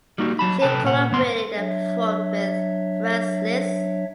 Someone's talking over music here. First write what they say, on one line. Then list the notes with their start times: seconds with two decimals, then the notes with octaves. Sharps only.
She collaborated and performed with Franz Liszt.
0.18 G3 A#3 D#4 F#4
0.39 F#3 A5 B5
0.62 C3 A4 B4 G5 A5
0.84 A#2 F#5
1.11 D2 G2 B3 C6
1.56 F#3 D4 C#5 E5